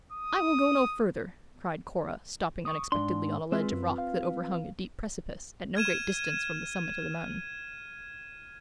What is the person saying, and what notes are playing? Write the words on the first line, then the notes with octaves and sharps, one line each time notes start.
"I will go no further!" cried Cora, stopping unexpectedly on a ledge of rock, that overhung a deep precipice, at no great distance from the summit of the mountain.
D#6
C#6 D#6
G#2 D4 C6
G#3 C4 F4 B4
F#2
F5
F6 G#6 D#7 E7